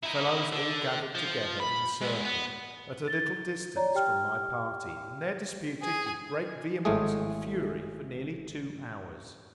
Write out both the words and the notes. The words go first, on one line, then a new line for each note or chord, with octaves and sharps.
The fellows all gathered together in circle, at a little distance from my party, and there disputed with great vehemence and fury for nearly two hours.
D#4 E4
D3
F3
B5
G#3 B3
B3
A6 G7
C#5 D5 A#5
G4 G5 F6
G#4
G#1 A2 G#3 A3 G#4